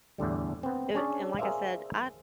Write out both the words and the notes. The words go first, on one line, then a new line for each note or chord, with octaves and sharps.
It w and like I said, I
E2 A2 D3 G3
B3 C4
C#4 D4 G#4 C#5 D5 A5
G#4 A#4 C5 D5 E5 F5